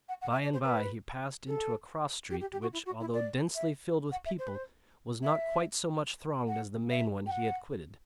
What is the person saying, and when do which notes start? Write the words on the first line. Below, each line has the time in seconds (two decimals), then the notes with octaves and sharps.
By and bye he passed into a cross street, which, although densely filled with people, was not quite so much thronged as the main one he had quitted.
0.09 F#5
0.22 F#5
0.32 E5
0.43 D5
0.53 C5
0.64 B4
1.47 A4
2.30 G4
2.41 G4
2.52 G4
2.62 F#4
2.73 E4
2.86 F#4
3.00 E4
3.13 D5
3.55 E5
4.12 F#5
4.25 E5
4.39 C5
4.48 B4
4.55 C5
5.23 E5
6.47 F#5
6.90 E5
7.26 G5
7.31 F#5